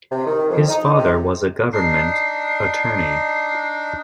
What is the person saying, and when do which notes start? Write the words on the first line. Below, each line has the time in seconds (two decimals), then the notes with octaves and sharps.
His father was a government attorney.
0.12 C3
0.27 D#3
0.50 F2
0.69 D#4
0.98 C3
1.73 D4 D#4 C7